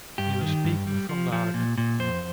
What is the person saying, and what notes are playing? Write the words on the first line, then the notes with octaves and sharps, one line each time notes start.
He was speaking from the heart.
G2 G4
D#3
G2
G3
F3
F3
A#2
A#2
F2 C5